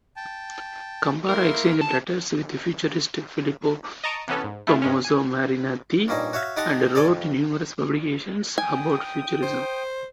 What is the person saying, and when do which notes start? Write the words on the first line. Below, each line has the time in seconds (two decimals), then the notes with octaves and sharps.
Kambara exchanged letters with futurist Filippo Tommaso Marinetti and wrote numerous publications about futurism.
0.16 G5 A5
1.29 A#3 E4 A#4 C6
1.81 A5
4.04 D#5 A5 A#5 C#6 D#6 D7
4.27 C3 E3 B3 C#4 A4
4.44 G#2
4.67 A3 E4 F4
4.82 G2 G#3 C#4
5.04 G#5
6.08 G2 A#2 C#4 D#4
6.33 F#4 C#5 E5 F5
6.57 D#4 G4 F#5 A5 A#5 C6
6.95 A4 C5 D5 G#5
7.08 F2
8.58 G5 G#5 D#6
9.42 C5